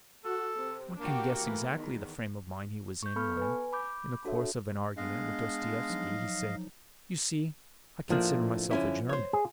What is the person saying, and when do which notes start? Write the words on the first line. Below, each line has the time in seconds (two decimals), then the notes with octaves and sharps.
One can guess exactly the frame of mind he was in when, in the course of an argument with Dostoevsky, he said: "You see, I consider myself a German."
0.24 F#4 A4
0.58 C3
0.98 A#3 D4 F#4 G4
1.42 E3 A3
1.74 E2 D#3
3.03 C#6 G6
3.16 B3 A4 B5 C#6 F6
3.37 B4 G#5
3.73 B5 D6 G6
4.25 D4 F#4 A4 C#5 E5
4.97 G#3 B3 D4 D#5 F5
5.90 F3 F#3 D#4
8.10 A2 F3 A#3 D4
8.71 D3 C#4 E4
9.09 C5 C#5
9.33 G#4